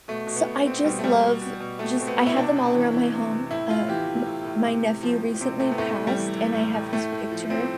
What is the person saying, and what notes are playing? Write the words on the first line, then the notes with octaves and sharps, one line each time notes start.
So I just love, just I have them all around my home. Uh, m my nephew recently passed and I have his picture
B2 A3
B2
B3
B2
B2 C4
B2 G3
A3
B2 G3
B2
B2
B2
B2 A3
B2 C4
B3
B2
E4
C3 D4
C3
E3
E3
C3
C3
A2 E4
A2 F4
E3 G4
E3
A2
A2
C3
C3
F3
F3
C3 C4
C3 A3
B3
A2 A3
A2
G3
E3
E3
A2
A2
A2 A3
A2
F3
F3 C4